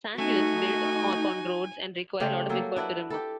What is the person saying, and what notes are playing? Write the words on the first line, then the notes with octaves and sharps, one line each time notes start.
Sand dunes build up on roads and require a lot of effort to remove.
A3 D#4 F#4 G#5
C#3 A3 G4 C5
F#3 G3 A#3 A4
D4 E4 F#4 B4
G4 A4